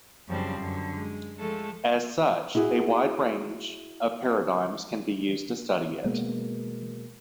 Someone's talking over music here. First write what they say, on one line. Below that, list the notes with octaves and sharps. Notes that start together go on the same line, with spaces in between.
As such, a wide range of paradigms can be used to study it.
F#2 C#3 F3 G3 C4 D4
F#2 D3
G#3
F3 G#3 A3 A4
E4 F#4 G#4
B2 G#3 A#3 B3